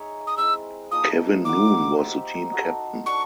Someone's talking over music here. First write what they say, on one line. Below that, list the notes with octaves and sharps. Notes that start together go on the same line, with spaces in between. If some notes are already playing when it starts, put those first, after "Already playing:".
Kevin Noone was the team captain.
Already playing: D#4 G#4 C#5 E5
D#6
G#3 C4 E4 E6
F3 A#3 D#4 D#6
A#3 D#4 F#4 D6
D#4 G4 C5 E5
D#4 F#4 A4 C5
D4 F#4 A#4 C#6